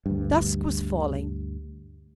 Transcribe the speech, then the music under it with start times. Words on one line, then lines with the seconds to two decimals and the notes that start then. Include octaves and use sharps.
Dusk was falling.
0.06 D2 G2